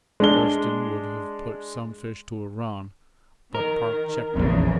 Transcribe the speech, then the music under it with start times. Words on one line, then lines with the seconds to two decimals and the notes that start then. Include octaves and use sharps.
Thurston would have put Sunfish to a run, but Park checked him.
0.20 G#3 D4 G7
3.55 D#3 A#4
4.36 F1 A#1 E2 C#3